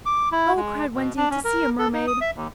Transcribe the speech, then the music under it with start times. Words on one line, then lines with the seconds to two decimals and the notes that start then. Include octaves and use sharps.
"Oh," cried Wendy, "to see a mermaid!"
0.06 D6
0.32 E4
0.56 G#3
0.94 B2
1.17 D4
1.31 C#4
1.45 A#4
1.79 A4
1.93 D#4
2.08 D#6
2.21 E5
2.36 D#2